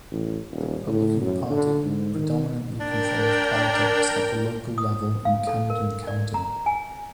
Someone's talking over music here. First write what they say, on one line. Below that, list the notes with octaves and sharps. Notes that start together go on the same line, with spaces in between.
The Republican Party predominantly controls politics at the local level in Camden County.
A1
D#1
A2
F#2
D3
G#2
D#3
D4 A#4 G5
D#6
F5
A4
A#4
D5
A#5
G#5